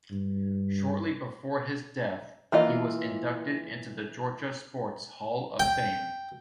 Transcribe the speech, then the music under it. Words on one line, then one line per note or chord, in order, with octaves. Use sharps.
Shortly before his death, he was inducted into the Georgia Sports Hall of fame.
G2
E3 A#3 F4 D#5
G5